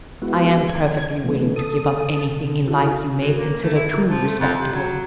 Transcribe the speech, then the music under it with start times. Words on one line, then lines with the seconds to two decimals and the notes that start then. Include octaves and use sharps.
I am perfectly willing to give up anything in life you may consider too respectable.
0.22 G#3 B3 E4 F#4
0.68 G#6
1.24 B2 E3 A3 B3
1.56 A4 D#6
2.37 C3
2.68 E4 F#4 A4
3.18 F#2
3.37 A#3
3.62 A3
3.75 E4
3.93 A#2
4.08 F3
4.26 A3
4.39 F2
4.60 C3
4.73 F#3